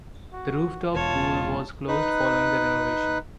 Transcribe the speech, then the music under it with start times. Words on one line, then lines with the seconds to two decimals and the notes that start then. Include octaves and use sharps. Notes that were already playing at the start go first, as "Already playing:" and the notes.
The rooftop pool was closed following the renovation.
0.33 F#4
0.94 E1 F4 C#5 A5
1.88 D#4 B4 F#6